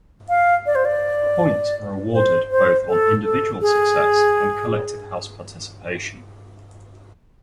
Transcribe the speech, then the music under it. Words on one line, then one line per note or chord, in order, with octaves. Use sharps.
Points are awarded both on individual success and collective house participation.
F5
D5
C5
D5
C5
C5
A4
A4
G#4